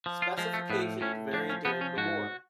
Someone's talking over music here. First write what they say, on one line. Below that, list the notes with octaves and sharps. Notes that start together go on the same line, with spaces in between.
Specifications varied during the war.
F3
F4
F3 G#3
A3
A2 B3
A2 C#4
F3 D4
C#4
F3 B3
C#4
G#2 F#4